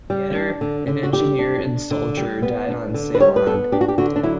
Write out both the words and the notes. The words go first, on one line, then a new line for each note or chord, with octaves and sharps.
Pieter, an engineer and soldier, died on Ceylon.
G3
D4
D3
D3
F#4
G3 G4
D4
D4
D3
G3
B3
D4
D3
B4
G3 C#5
B4
B3 A4
D4 G4
F#4
G4
D3 F#4
D4
F#3 E4